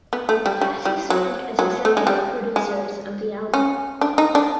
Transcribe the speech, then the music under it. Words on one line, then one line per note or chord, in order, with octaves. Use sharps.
Fassie served as executive producers of the album.
B3
A3
G3
G3
G3
F#3
F#3
A3
G#3
G3
G#3
C#4
D4
D#4
D4